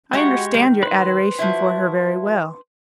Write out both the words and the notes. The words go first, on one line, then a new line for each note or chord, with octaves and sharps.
I understand your adoration for her very well.
G#3 E4 F#4 G4 F#5 C#6
D#3
B4 C5
F3 F#3 E4